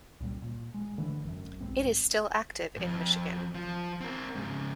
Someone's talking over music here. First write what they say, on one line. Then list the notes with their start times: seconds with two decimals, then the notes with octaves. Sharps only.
It is still active in Michigan.
0.20 C#2 A#2 G3
0.42 A#2
0.74 G#3
0.98 D3 E3 A3
1.25 G#1 F#2
1.60 A#1 G2 G#3 C4
2.77 F2 G#2
3.55 F3
4.01 C4 A#4
4.35 G#2 C#3